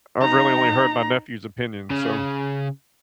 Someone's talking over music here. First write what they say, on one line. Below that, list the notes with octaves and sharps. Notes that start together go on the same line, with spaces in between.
I I've really only heard my nephew's opinion, so
D#4 A#5
C#3